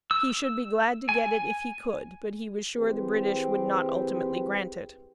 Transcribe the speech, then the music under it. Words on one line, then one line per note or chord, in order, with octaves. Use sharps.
He should be glad to get it if he could, but he was sure the British would not ultimately grant it.
E6
G#5
E3 C4 G4 G#4 B4